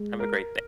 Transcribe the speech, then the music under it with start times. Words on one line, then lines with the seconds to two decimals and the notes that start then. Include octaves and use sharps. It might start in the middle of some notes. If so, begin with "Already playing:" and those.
Have a great da
Already playing: G#3
0.20 A#4